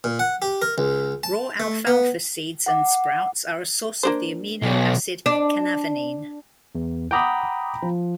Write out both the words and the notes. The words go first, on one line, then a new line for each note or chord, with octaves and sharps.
Raw alfalfa seeds and sprouts are a source of the amino acid canavanine.
A#2
F#5
G4
A#4
C#2
A5
A3
B3
F#5 D6
A#3 D4 C5
B1
D4
E2
F#5 G5 A#5 B5 D6 D#6
F3